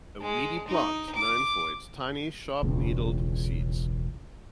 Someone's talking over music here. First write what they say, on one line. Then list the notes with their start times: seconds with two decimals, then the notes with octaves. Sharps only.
A weedy plant known for its tiny sharp-needled seeds.
0.21 G#3
0.68 D#4
1.15 D6
2.63 E1 C#2